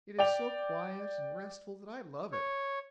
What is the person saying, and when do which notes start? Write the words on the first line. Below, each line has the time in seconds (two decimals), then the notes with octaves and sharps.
It is so quiet and restful that I love it.
0.18 D5 G5 F7
2.32 C#5